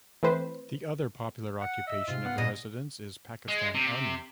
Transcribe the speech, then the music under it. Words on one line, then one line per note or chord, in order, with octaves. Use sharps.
The other popular occupation of the residents is Pakistan Army.
E3 A3 C4 B4 C5
F#5
D#5 E5 E6
G#2 C3 F4
B3 F#5
A#2 C#3 D#5
G#3
C3